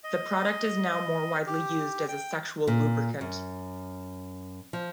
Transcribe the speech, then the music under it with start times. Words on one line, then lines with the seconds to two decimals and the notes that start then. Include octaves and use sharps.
The product is now more widely used as a sexual lubricant.
0.04 D#5
1.47 G4
2.08 G5
2.67 A#2
3.21 F#2
4.73 F3